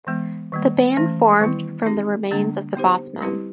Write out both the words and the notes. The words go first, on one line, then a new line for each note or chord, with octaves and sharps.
The band formed from the remains of The Bossmen.
E3 G#3 B3
D#3 G3 A#3
E3 A3 C#4
D#3 G3 B3 E4
C4 D#4 G4
D3 G3 A#3 D4
B3 D#4 G4 C5
G3 C4 E4 G4 B4